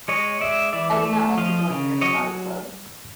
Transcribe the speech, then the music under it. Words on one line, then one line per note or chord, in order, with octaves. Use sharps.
I do not want to join your snotty club.
G#3 C#5 D#5
G#3 D5 E5
E3 D5 E5
A3
F3 D#5 F5
C#3
F#3 C#5 D#5